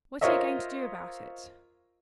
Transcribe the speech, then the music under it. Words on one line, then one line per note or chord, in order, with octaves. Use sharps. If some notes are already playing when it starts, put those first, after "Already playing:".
"What are you going to do about it?"
F4 A#4 C5 C#5 D#5 E5